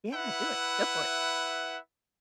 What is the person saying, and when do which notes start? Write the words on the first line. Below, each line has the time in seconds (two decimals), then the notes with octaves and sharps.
Yeah, do it. Go for it.
0.13 E4 B4 E5 F#5